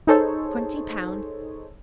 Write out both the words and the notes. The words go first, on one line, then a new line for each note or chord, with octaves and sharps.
Twenty pounds!
D#4 G#4 A4 C5 C#5